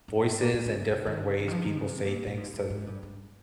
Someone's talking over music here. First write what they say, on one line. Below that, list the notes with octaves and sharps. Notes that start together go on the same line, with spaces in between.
voices and different ways people say things to
G2
G#2
A#2
A#2
C#3
C3
D#3
C#3
C#3
D#3
F3
D#3
C#3
C3
A#2
A#2
G#2
G#2
G#2
G2
G2